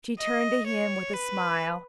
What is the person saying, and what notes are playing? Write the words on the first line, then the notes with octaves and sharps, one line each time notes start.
She turned to him with a smile.
D#5
C#5
B4